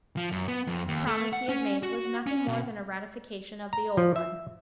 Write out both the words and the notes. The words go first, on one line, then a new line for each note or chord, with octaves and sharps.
The promise he had made was nothing more than a ratification of the old one.
F3
F#2
B3
F2
D#2
A3
F#5
C#4
F#4
C#4
B2
A#5
F3
E5